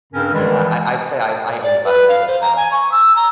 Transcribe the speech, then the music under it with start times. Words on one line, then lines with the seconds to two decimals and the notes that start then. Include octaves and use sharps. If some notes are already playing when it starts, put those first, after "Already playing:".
yeah, I I'd say I I only got into it about,
0.13 G2 C#3 C4 C#4 A#4
0.33 D#3 E3 G3 G#3
1.63 D5
1.85 B4
2.09 F5
2.28 C5
2.41 A#5
2.56 G#5
2.72 C#6
2.92 E6
3.16 A#5